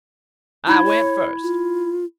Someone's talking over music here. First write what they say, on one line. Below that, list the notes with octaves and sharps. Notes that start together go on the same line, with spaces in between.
I went first.
D#4 E4 B5 G#6
C#5
F4